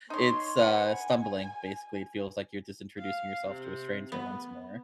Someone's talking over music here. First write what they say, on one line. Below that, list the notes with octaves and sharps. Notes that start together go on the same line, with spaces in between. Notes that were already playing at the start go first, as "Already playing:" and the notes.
It's uh, stumbling, basically. It feels like you're just introducing yourself to a stranger once more.
D#4 C#5 C6
B4 F#5 G#5
F5
C3
B3